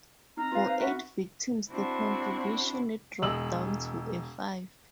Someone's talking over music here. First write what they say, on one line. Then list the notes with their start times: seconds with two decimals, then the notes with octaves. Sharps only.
For eight victims the contribution dropped down to a five.
0.37 C4 D#4 A#5 F6
0.52 F4 B4 F5
0.65 C5 F5
0.79 F#4 B4 E5
1.71 C4 D4 E4 F#4
3.22 E1 G#3 E6 F#7